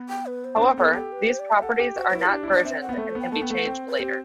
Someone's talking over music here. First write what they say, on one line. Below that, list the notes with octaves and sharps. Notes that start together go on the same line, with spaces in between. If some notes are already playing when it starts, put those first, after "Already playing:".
However, these properties are not versioned and can be changed later.
Already playing: B3
G5
B4
C5
D4
C4
B3 A4
G4 A4
B4
C5
D5
E5
A4 F#5
G4
F#4 C5
E4 C5
B4
F#4
D4 G4
E4
D4
D5
C4 E5
F#5
B3
D5
A3 E5
C5
B3 G5
A3 A5
B3 G5
A3 F#5
C4 G5
B4
C4 G4